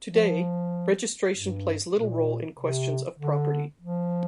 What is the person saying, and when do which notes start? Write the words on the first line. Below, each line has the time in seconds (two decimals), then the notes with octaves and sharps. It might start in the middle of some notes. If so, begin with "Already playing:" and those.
Today, registration plays little role in questions of property.
0.12 F3
1.35 G2
1.97 A#2
2.58 C3
3.20 D3
3.81 F3